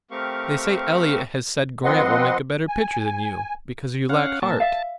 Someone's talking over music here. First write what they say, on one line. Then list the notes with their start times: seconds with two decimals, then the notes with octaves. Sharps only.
"They say Eliot has said Grant will make a better pitcher than you, because you lack heart."
0.11 A3 C4 G4 A#4 F5 C#6
1.84 F3 C4 B4 D#5 F#5 C6
2.68 G#5
4.09 C#4 F5 F#5
4.42 A#2 A5
4.60 E5 F5